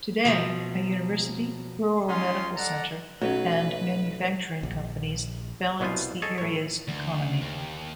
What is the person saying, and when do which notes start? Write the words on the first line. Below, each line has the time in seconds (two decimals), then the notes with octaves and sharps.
Today, a university, rural medical center, and manufacturing companies balance the area's economy.
0.25 B2 F3 F#3
2.08 C#4 D#4 F4 C6
2.56 A4 D5 F#5 A#5
3.22 B1 F#3 A3 C#4 B4
4.63 A#1
5.80 C2 B2 B3 F4 C5 G#5
6.22 G#4 A4 C#5 D#5
6.38 A2 C#5
6.88 D2
7.41 D#2